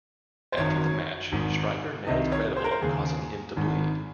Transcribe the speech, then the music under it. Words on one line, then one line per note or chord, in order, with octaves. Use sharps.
After the match, Striker nailed Credible, causing him to bleed.
C5
G#1 F#2 D#3 C#5
G#1 G#2 D#3
C2 C3 D#3 D#5
C#5
C5
A#4
C5
D#2 C#3 G#4
G#1 G#2 D#3